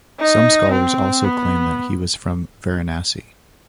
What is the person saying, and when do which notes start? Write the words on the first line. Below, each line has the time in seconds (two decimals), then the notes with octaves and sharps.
Some scholars also claim that he was from Varanasi.
0.20 D#4
0.72 C4
1.24 B3